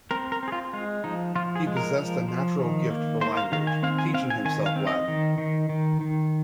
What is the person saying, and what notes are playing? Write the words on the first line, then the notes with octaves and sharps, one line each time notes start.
He possessed a natural gift for language, teaching himself Latin.
C4 A#4
A#4
C4 G#4
F4
G#3 F4
F3 D#4
F3 F4
G#4
G#3
A#4
F3
F3
D#3
A#3
A#3 C5
F5
D#3 F5
G#5
C4 F5
G#5
C4 F5
G#5
D#3 G#5
F5
C4
D#5
D#3
D#3
D#3
D#3